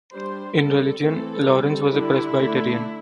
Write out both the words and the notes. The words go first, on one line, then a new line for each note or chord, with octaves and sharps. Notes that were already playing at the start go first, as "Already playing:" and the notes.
In religion, Lawrence was a Presbyterian.
G3 D4 C5
D3 G3 C4 A4
E3 A3 C4 A4
G3 C4
D3 G3 D4 E4
D3 A3 D4